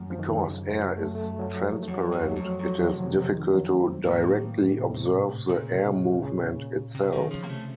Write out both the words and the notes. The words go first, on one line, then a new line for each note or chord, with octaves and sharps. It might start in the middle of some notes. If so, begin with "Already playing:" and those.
Because air is transparent it is difficult to directly observe the air movement itself.
Already playing: F#2 D#3 F3 F#3 A3 A#3
F3
D#3
C#3
F#3
A3
A3
F#3
F3
A3
F2 F#3
F#2
F#3
A3
F2 F#3
F2 F#3
D#3
C3
C#3
C3
C#3
D#3
F#3
A#3
C4
A2 A#3
C3
A#2 C#3
C#3
C#3
C3
D#3
C#3
F3
C3 A#3
A3